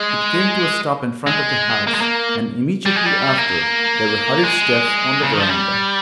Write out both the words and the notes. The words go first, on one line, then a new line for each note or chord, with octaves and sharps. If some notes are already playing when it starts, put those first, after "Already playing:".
It came to a stop in front of the house, and immediately after there were hurried steps on the veranda.
Already playing: G#3
G#3
A#3
G#3
A#3
G3
G#3
G3
A#3
G#3
C#3
D#3
F3
G3